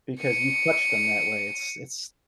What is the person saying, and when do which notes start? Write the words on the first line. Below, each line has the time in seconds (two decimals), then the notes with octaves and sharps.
because you touch them that way, it's it's
0.21 C#7 D#7